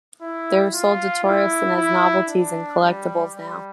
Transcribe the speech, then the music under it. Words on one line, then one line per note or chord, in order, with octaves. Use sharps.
They are sold to tourists and as novelties and collectibles now.
E4
F4
E4
E4
D4
G3
G3